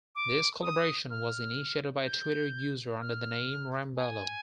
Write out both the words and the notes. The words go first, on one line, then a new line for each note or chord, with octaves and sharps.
This collaboration was initiated by a Twitter user under the name 'Ramballo'.
D6
D#6
F6
G6
F6
G#5